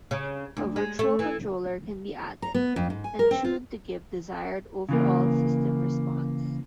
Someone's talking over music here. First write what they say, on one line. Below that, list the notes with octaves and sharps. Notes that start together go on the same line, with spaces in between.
A virtual controller can be added and tuned to give desired overall system response.
C#3
D2
G#3
A3
E3
A#5
B3
F2
G#2
G#5
A#4
C4
F4
C#3 E3 A#3